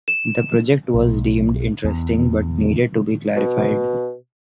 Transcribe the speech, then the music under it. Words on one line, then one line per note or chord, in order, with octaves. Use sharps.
The project was deemed interesting but needed to be clarified.
E7
B1
E2
B2